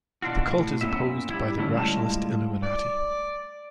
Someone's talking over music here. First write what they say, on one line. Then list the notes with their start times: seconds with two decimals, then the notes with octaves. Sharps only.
The cult is opposed by the rationalist Illuminati.
0.22 B2 D4 F4 F#4
0.46 A2
0.81 F#2 A#2 B3 E5
1.30 G3 E4
1.57 G2 D3 A3 C#4 E4
1.77 A2 G3 G#3 F4 A5
2.63 D5